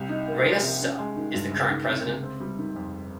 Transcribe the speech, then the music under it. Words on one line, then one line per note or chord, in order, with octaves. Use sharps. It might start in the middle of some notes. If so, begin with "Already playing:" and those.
Rhea Suh is the current president.
Already playing: C2
D#4
A#3
F3
C3
C#4
G#3
D#3
G2
C#2
D#3
C3
C#2
C4
G3
D#3
F2